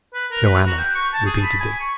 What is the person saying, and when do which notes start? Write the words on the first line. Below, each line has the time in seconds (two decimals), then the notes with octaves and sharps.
"Joanna!" repeated Dick.
0.14 B4
0.31 A#4
0.44 B4
0.66 F#4
0.78 G5
0.95 C#6
1.13 A5
1.26 G#4
1.43 B5
1.60 G#5
1.80 C#6